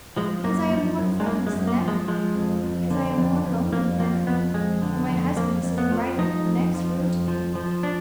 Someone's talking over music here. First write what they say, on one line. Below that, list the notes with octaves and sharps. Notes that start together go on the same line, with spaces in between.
Because I am more friendless than ever; because I am more lonely than ever, though my husband is sitting writing in the next room to me.
F3 G#3
F#2 A#3
F3
F#2
G#3
F#2 A#3
G#3
F#2
A#3
F3
G#3
F3 G#3
F2
F2
D3
F2
F2
F2 A#3
F3 A#3
F2 B3
F2 G#3
D3
F2
F2 A#3
F2
B3
F3
F3 D#4
F2
F3
F2
F3
F3
D4